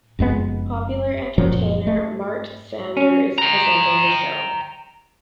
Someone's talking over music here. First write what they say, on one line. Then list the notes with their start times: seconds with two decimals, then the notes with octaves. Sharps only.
Popular entertainer Mart Sander is presenting the show.
0.19 F#1 F2 G#3 B3
1.38 F#1 A#2 F3 F#3
1.87 A3
2.97 C#4
3.38 G5 A#5